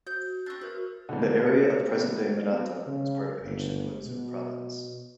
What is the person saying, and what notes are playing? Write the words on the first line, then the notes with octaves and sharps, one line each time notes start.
The area of present-day Murata was part of ancient Mutsu Province.
F#4 G6
C4 D4 C#6 E6 F#6
F#4 A#4 B4 F6
A1 E2 B2 D3
C#7
B3 D#4 G4
F#3 B3 C4 B4
C#3
G1
B2